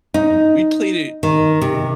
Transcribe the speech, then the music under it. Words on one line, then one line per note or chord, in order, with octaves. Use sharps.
We played it
D#4
D#3
C3